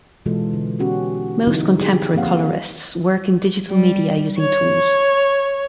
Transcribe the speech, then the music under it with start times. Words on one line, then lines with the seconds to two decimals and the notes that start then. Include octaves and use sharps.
Most contemporary colorists work in digital media using tools.
0.26 B2 E3 G#3 F4 A4
0.53 D3
0.79 B3 C#4 F#4 G4
1.47 D3 E3 F#3 C4 D#4 E4
1.78 G4 G#4
2.15 F3 A#3 C4 F5 F#5
3.70 G3
4.39 C#5